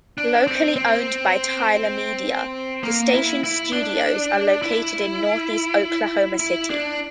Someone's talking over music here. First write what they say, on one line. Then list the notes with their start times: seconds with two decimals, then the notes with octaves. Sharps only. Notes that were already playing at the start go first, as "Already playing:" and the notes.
Locally owned by Tyler Media, the station's studios are located in Northeast Oklahoma City.
0.18 D4
0.47 C4
0.76 C4
2.83 A#3
3.13 E4
3.44 E4
3.73 D4
4.62 E4
6.40 E4
6.70 D4